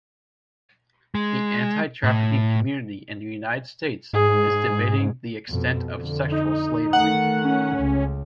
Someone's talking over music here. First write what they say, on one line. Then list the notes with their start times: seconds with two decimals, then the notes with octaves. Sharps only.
The anti-trafficking community in the United States is debating the extent of sexual slavery.
1.15 G#3
2.04 A2
4.13 G#2 G#4
5.49 F2 B2
5.93 F2 D3
6.32 D#4
6.93 D#3 A3 F#5
7.44 C#4
7.77 C#2